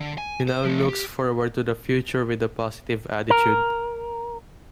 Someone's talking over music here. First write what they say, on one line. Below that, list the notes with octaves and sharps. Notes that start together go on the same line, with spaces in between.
He now looks forward to the future with a positive attitude.
D3
G#5
C5
F3 A3
G4
A#4